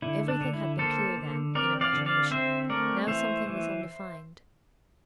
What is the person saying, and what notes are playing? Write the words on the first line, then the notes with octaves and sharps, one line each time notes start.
Everything had been clear then, in imagination; now something was undefined.
D3 E4
D4
D3
E4
A#3 A4 C5
D3
C4 A#4 D5
D5 F5
D3
D5 F5
C4 C5 E5
A3 A#4 D5
E3 C5 E5
E3